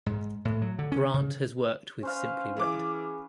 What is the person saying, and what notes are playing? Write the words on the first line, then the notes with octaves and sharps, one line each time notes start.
Grant has worked with Simply Red.
G#2
A2
F#3
D3
C#4
C#3
C#4 B4 C5 F5
E3 G#4 D6